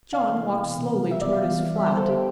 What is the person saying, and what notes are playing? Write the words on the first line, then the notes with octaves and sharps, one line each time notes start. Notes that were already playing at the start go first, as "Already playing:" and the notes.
John walked slowly toward his flat.
C3 F5
E3
B3
B2
C3
G3
G3 E5
D5
B3
F5
E3
B3
G3 E5
C5
B3
A4
D3 G4